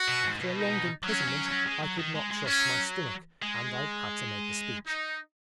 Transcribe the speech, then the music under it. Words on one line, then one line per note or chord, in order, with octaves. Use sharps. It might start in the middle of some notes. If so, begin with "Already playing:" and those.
After a long imprisonment I could not trust my stomach, and I had to make a speech.
Already playing: F#4
B2
G#2
B2
D#4
F#3 C#4
F#3
F#3
G#3
F#3
D#3
G#3
G#3
F#3 C#4
G#3
D#4